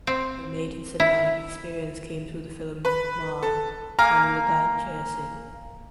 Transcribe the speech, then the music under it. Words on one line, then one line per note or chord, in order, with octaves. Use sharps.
Her maiden cinematic experience came through the film "Maa" Anuruddha Jayasinghe.
C4
E4
B4
A4
A#3 G#5 A#5 D6